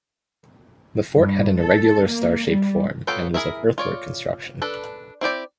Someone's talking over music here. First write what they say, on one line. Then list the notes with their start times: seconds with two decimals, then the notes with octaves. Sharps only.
The fort had an irregular star shaped form, and was of earthwork construction.
1.17 G2
1.60 A4
2.07 A#3
2.48 G3
3.07 F#3 B3 F4 A4 G5
3.34 E4 G#4 A#4 E5
3.78 F4 C#5 D5
4.62 D4 A4 B4
5.21 C4 E4 G4 D5